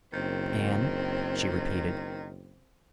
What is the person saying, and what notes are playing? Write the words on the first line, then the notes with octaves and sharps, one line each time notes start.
"Dan?" she repeated.
F#1 D#3 C4